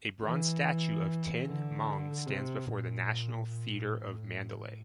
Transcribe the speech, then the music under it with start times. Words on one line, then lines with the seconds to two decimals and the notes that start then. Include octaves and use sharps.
A bronze statue of Tin Maung stands before the National Theatre of Mandalay.
0.22 E3
1.45 D3
2.26 C3
2.67 A#2
3.48 A#2
3.89 A2